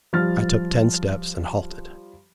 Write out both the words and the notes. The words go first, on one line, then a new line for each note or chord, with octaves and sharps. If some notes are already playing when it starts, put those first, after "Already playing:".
I took ten steps, and halted.
F3 G3 F6 A6